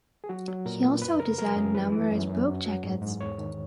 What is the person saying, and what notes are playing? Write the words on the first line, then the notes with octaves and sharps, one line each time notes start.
He also designed numerous book jackets.
G#4
F#3 F#4
F#3
A#2 A#4
A#2 B4
F#2 B4
C#3 A#4
F#3 A#4
F#2 G#4
E3 B4
E3
F#2
F#2
F#3
F#3
G#2
G#2
E2 C#5
D#3